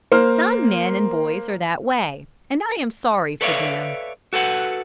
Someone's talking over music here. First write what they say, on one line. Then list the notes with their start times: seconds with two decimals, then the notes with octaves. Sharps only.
Some men and boys are that way, and I am sorry for them.
0.12 A#3 C5 F6
3.41 A4 B4 C#5 D5 E5 F5
4.33 F#4 A4 B4 F#5